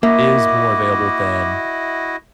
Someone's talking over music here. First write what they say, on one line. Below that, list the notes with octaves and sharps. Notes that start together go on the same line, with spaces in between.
is more available than
A#3 E4 F#4 D#5 E5 D6